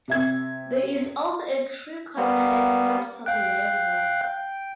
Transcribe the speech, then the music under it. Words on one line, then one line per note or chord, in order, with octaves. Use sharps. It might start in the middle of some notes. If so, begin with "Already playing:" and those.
There is also a crew quarter at platform level.
C3 E5 G#6
G3 A#3 B3
F5 G5 F#6